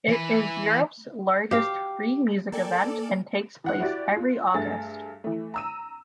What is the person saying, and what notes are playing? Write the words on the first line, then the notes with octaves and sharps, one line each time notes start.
It is Europe's largest free music event and takes place every August.
E3 B4
G4 F5
A#3 A4 D5 G5 G#5
E3 F#5 F#6
E4 F#4 G4 D5
F4
G2 A3 G#4 A6
E3 A3
A#5 E6 D#7